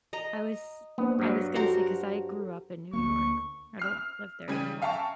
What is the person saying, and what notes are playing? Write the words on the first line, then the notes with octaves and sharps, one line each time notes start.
I was I was gonna say 'cause I grew up in New York. I don't live there anymore,
D#5 A#5
A#3 B3 D4 C5
G2 F#3
F#4 G4 A4 A#4 C5
D2 G3 A#3 C#6
E6 F6 C7
C#3 G3 G#6 D#7
E5 F5 G5 A5 A#5 C#6